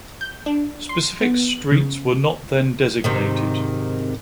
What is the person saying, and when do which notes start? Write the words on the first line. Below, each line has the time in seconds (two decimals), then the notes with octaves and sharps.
Specific streets were not then designated.
0.21 G6
0.46 D4
0.89 C6
1.21 B3
1.72 C#3
3.04 G#2 C3 D#3